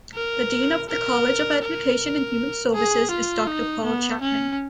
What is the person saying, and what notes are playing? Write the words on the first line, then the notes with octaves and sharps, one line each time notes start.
The Dean of the College of Education and Human Services is Doctor Paul Chapman.
A#4
A#4
A#4
G#4
F4
D#4
B3
C#4